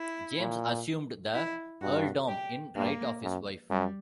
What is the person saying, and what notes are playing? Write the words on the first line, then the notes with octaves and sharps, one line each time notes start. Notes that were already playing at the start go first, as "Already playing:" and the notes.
James assumed the earldom in right of his wife.
Already playing: E4
A#2
E4
G2 F#4
G4
G2 A#3
F#2
F#2 G3